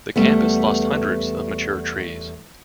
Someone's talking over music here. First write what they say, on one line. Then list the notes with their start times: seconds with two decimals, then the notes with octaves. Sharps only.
The campus lost hundreds of mature trees.
0.16 E2 G3 A3 B3